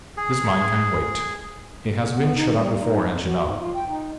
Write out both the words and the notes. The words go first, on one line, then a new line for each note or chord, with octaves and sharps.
This mine can wait; it has been shut up before, as you know.
G#4
C#3
B3
D#4
G3
D#4
F2
F#4
G#2
F4
G5
D#4